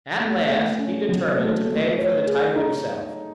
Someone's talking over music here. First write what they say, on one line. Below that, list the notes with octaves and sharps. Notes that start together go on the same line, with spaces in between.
At last he determined to pay for the type himself.
A3
A3
C#4
F#3
A3
A3
C#5
G#4
D#4